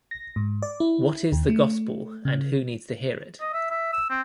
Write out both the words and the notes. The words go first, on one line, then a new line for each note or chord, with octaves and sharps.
What is the gospel and who needs to hear it?
A#6
G#2
D5
E4
D#2
A3
C#3
D#5
E5
E5
E6
C4